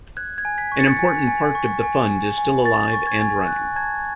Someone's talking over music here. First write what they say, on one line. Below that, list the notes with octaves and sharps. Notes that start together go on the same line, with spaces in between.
An important part of the fund is still alive and running.
F#6 G#6
G#6
G#5
G#6 B6
C#6
A6 C#7
G#5
G#5
C#6
G#5
G#5
G#5
C#6 A6
C#6
G#6
G#5
F#6
A5 G#6